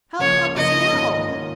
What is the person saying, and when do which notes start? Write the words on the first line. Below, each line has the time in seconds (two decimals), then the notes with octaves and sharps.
Help, help us now!'
0.19 C#2 C#3 F3 A#3 C#5
0.56 C#2 C#3 F3 A#3 D#5
0.91 G#2 D#3 A#3 C#4 F4
1.27 G#2 D#3 A#3 C#4 F4